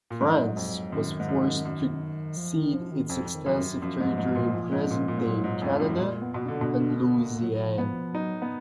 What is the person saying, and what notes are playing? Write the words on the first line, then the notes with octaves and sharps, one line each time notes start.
France was forced to cede its extensive territory in present-day Canada and "Louisiane".
A#2
G#2 F3
F#3
F2
F#3
F#2 D#3
G#2
F#2
F#2
F3
D#3
F3
D#3
F2 F3
F3
D#3
F#2
F#2 F3
G#2
G#2
A#2
A#2
G#2
A#2
A#2
G#2 G#3
A#2 F#3
G#2
F#3
F2
G#3
F#2
A#2 G#3
B3
B2
D3 D4
B2
D4
B3
A#3
F#3
F3
B3
F3
F#3 D#4
B3